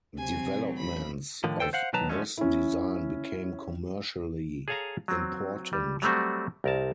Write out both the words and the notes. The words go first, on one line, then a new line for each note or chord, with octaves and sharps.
Developments of this design became commercially important.
C3 F#3 C4 G#5
A1 B5
A2 D3 D#3 F3
D2 A#2 A4 C5 G5
C5 F5 F#5
B2 D#3 F#3 B4 A5 A#5
G2 D3 F3 G#3 A3 C#4
C#4 E4
G#4 A4 C#5 F5 G#5 A#5
F#3 C4
G3
F#3 G3 A3 C4 F#4
C2 A#4 A5